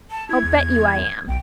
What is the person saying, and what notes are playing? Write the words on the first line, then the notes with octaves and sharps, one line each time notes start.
"I'll bet you I am!"
A5
E4 G#6
E2
B1 G5